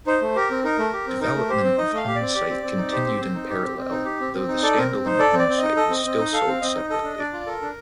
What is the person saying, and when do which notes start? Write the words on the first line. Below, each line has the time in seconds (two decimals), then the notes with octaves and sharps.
Development of HomeSite continued in parallel, though the standalone HomeSite was still sold separately.
0.07 D#4 C5
0.22 A3
0.36 G4 A#4
0.51 C4
0.64 D#4 A#4
0.78 A3
0.93 G4
1.07 C4
1.21 D#4 A#4
1.36 A3
1.49 G4 C5
1.63 C4
1.78 D#4 D#5
1.93 A3 F5
2.07 G4
2.15 D5
2.21 C4
2.35 G4
2.49 C4
2.63 C4
2.78 D#4
2.92 G4 C5
3.06 C4
3.20 C4
3.34 D#4
3.49 G4
3.63 C4
3.77 C4
3.91 D#4
4.05 G4
4.20 C4
4.33 C4
4.48 D#4
4.62 A4 D5
4.77 C4 A#4
4.91 C4
5.05 D#4 C5
5.19 A4 D5
5.33 C4
5.39 D5
5.48 C4
5.58 D#4 D#5
5.76 A4 D#5
5.90 C4
6.05 C4
6.19 D#4
6.33 A4 F5
6.47 C4
6.61 C4 D#5
6.75 D#4
6.90 A4 D#5
7.04 D4
7.19 D4 D5
7.33 F4
7.46 A4 A#4
7.62 D4